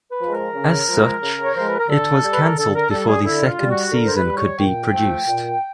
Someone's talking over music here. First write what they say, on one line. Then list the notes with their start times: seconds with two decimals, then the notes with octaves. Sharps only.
As such, it was canceled before the second season could be produced.
0.10 B4
0.21 F3 G#3
0.33 A#4
0.54 C#3
0.88 F3 G#3
1.22 C#3
1.43 C#5
1.55 F3 G#3 C5
1.67 B4
1.78 A#4
1.89 D3 A4
2.23 G3
2.32 B4
2.44 A#4
2.57 D3 A4
2.74 A#4
2.90 G3 A4
3.07 G#4
3.24 D3 E4
3.47 F4
3.58 G3
3.69 F#4
3.92 D3 A#4
4.05 C5
4.14 B4
4.25 G3
4.36 C#5
4.59 A#2 G5
4.92 F3 A3
5.26 A#2